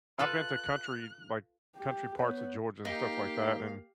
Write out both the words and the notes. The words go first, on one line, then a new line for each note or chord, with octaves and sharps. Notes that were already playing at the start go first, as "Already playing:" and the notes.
I've been to country like, country parts of Georgia and stuff like that, and,
F4 A4 B4 F#6
G4
B3 B4 C#5
A#3 D#4 G4 F5